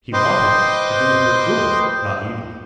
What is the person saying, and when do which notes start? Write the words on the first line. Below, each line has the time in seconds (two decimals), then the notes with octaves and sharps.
He wanted to do her good, not evil.
0.13 B4 C5 D#5 G5 C6 D6